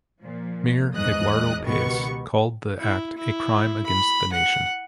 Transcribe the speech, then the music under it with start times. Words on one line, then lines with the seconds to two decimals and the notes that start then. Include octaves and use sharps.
Mayor Eduardo Paes called the act "a crime against the nation".
0.21 A#2 F3
0.95 E2 G#2 D#5 D#6 F#6
1.64 C#2 B2 D#3 B3 G4 C#6
2.79 E4
3.18 E4
3.86 B5
4.32 F#5